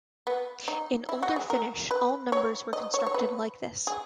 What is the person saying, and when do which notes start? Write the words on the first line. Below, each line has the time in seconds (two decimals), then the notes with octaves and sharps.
In older Finnish, all numbers were constructed like this.
0.27 B3
0.68 D#4
1.09 E4
1.23 F#4
1.36 G#4
1.50 A#4
1.91 B4
2.32 C#5
2.73 D#5
2.94 C#5
3.07 C#5
3.14 B4
3.87 G#4